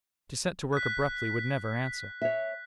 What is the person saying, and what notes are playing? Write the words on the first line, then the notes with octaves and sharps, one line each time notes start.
To set to work abruptly would never answer.
F#6 B6
C#5 E5